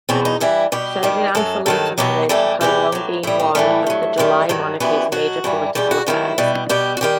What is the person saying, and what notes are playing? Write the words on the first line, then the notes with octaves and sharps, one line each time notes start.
Ferdinand Philippe's marriage had long been one of the July Monarchy's major political affairs.
E2 B2 F#3 C4
D#4
G2 E3 G3 E4
B2 G3 G4
G2 D#3 G3
F#2 F#3 A4
G2 D#3 F#3 A4
B2 F#3 G4
A2 E3 G3 A4
E2 C3 E3 G3 G4
A2 F#3
A2 G3 E4
C4
A2 E3 G3 A3
G2 F#3
F#2 D#3 G3
G2 D#3 F#3
F#2 E3 G3 B3
B2 F#3 F#4
G2 E3 G3
E2 B2 G3 G4
F#4
G2 D#3 F#3 E4
B2 G3
B2 G3 G4
F#4
D#3 G3 G4